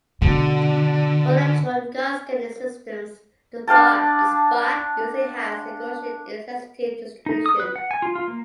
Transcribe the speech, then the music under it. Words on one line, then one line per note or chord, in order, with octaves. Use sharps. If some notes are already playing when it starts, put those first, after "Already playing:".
For electron gun scanning systems, the spot usually has a Gaussian intensity distribution.
B2 D3
D4 F5 G5 A5
D#4
D#6
B4
F#5
G#5
F4
F4
A#3